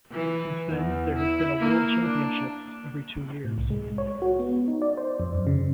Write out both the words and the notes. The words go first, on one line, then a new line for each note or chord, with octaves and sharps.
Since then, there has been a World Championships every two years.
E3
E2
E4
A#3
D4
A2
C2
G#3
C#5
F#4
B3
D#4
D5
C5
F2
F#2
C#3